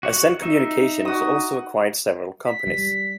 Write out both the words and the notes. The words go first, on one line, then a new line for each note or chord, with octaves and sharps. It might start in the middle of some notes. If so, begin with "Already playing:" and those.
Ascend Communications also acquired several companies.
F#4 C#5
D#4 E5
F#4 D#6
B6
G3